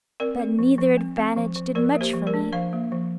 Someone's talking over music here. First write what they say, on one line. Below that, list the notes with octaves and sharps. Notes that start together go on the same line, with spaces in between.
But neither advantage did much for me.
C4 A#4 D5
C4
F3
F3
C4
C4
F3
F3
F3 A#4 D5
A#3
G4 C5
F3
A#4 D5
D4
F3 C5 F5
A#3
F3